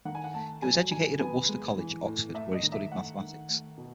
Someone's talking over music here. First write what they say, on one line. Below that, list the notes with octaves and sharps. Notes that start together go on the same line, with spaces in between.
He was educated at Worcester College, Oxford, where he studied mathematics.
D#3 F#5
G#5
F#5
A3 A5
F#3 G#5
D#3 G#5
B3 G#5
G#3
E3
A2
A3 E5
D#5
D#3
E5
A3 F#5
D#3
A3
B2